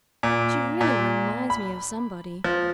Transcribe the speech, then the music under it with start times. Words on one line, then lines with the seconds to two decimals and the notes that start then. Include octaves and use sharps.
She really reminds me of somebody.
0.23 A#2
0.81 A#2
1.50 B5
2.44 F3